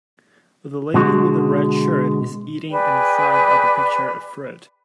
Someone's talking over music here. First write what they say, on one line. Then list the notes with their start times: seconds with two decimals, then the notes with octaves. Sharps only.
The lady with the red shirt is eating in front of the picture of fruit.
0.94 B2 D3 G#3 F#4
2.70 G#4 B4 D5 G5